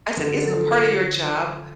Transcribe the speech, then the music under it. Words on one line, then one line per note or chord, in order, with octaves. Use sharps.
I said, "...isn't part of your job
D3 A4
A#4
F#3 A4
F3